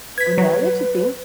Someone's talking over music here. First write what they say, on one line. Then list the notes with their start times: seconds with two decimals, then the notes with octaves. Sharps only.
Oh, now that you think,
0.18 B4 G#6 B6
0.38 F#3